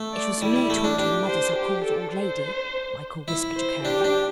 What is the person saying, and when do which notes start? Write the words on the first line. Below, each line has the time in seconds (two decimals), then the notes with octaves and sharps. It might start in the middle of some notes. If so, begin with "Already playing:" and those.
'It was me told him mothers are called old lady,' Michael whispered to Curly.
Already playing: A3
0.13 D5
0.41 G3 E4
0.56 G3
0.70 A3
0.84 D4
0.99 D4 G4
1.27 C5
1.56 G4
1.85 A4
2.13 C5
3.28 E4
3.56 C5
3.84 D4 G4
4.04 D4